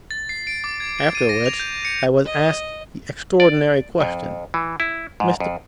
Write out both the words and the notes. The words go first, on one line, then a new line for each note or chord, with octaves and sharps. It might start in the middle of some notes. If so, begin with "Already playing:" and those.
After which I was asked the extraordinary question: 'Mr.
A6
C7
D7
D6
G#6
D7
D#7
A#6
F7
G6
C#7
D#5
D5
F2
E3
E4
G#2
F2